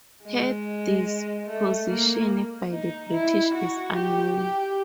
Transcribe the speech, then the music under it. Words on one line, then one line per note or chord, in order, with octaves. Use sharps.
Her disposition by the British is unknown.
G#3
A3
A#3
D#4
E4
F#4
G4
G4